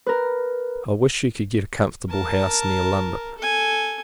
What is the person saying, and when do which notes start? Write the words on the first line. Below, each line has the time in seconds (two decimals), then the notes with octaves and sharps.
I wish you could get a comfortable house near London.
0.06 A#4 B4
2.09 A#4 A5
3.38 A4 G#5